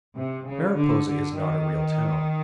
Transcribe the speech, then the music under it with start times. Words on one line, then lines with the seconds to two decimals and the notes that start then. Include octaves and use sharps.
Mariposa is not a real town.
0.16 C3
0.47 C#3
0.78 D3
1.08 D3
1.39 D#3